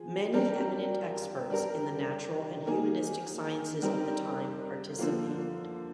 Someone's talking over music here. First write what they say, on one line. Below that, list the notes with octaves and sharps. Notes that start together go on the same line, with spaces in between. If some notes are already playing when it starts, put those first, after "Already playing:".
Many eminent experts in the natural and humanistic sciences of the time participated.
Already playing: F3 G#4
G3 D4 G4 A#4
G3 D4 G4 A#4
D#3 A#3 D#4 G#4
G3 C4 D#4 G4 A#4
D3 F3 A#3 F4